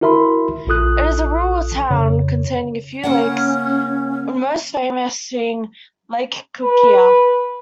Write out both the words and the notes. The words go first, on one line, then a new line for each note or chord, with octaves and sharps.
It is a rural town containing a few lakes, most famous being lake Kukkia.
E4 F#4 A#4 E5 B5 C6
A#1 F4 A4 D#6 F#6
F2 C#3 C#5
C#3 A#3 C#4 F#5
B4